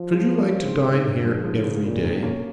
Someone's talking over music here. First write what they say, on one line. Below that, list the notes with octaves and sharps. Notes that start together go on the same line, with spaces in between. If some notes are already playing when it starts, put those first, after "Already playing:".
Should you like to dine here every day?'
Already playing: F3
G#3 C4
A#3 C#4
G#2 G#3 C4
C4 D#4
G2
F3 G#3
G#2 C#3 F3
C#3
A#2 C#3
C3 D#3
A#3 C#4